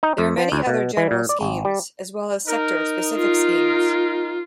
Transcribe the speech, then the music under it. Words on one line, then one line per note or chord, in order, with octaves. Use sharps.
There are many other general schemes, as well as sector specific schemes.
D#4
F2
F3
D2
B2
E3
A#2
D5
G#1
G3
D#4 A#4
F4